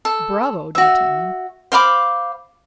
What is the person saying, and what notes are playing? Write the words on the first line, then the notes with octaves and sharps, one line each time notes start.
Bravo, d'Artagnan!
A4
F#4 E5
C5 F5 B5 D6